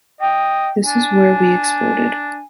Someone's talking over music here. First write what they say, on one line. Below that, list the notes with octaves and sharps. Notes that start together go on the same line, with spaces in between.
This is where we exploded!
D#5 G5
D4 G#5